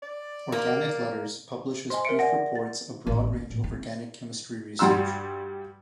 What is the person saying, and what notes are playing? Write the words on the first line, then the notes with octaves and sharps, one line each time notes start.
Organic Letters publishes brief reports a broad range of organic chemistry research.
D5
A#3
C5 D#5 G#5 C6
A#4 E5 C#7 D7
D5 F#5 G#5 A#6
A6
A1
C#4
A2
C4
G2 G3 F#4 C6 E6